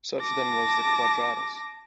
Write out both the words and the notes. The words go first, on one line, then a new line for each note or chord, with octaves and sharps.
Such then was Quadratus.
A5 D6 A#6